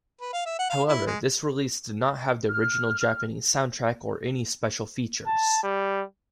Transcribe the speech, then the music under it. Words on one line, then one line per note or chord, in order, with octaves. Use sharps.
However, this release did not have the original Japanese soundtrack or any special features.
B4
F5
E5
F#5
F5
E4
G#3
F6
A5
G3